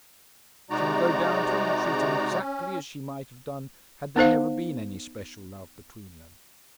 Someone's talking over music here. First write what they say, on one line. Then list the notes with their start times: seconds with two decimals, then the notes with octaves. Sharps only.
She would go down to him and treat him exactly as she might have done, had there never been any special love between them.
0.70 C3 G#3 D#4 F#4 D5 A#5
2.40 C#4
4.16 B3 D#4 C5 F5